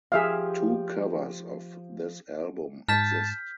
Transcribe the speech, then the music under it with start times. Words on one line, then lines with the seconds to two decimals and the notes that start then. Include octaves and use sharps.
Two covers of this album exist.
0.12 F3 G4 G#4 E5 F5
2.88 G#2 A5 F6 G6 B6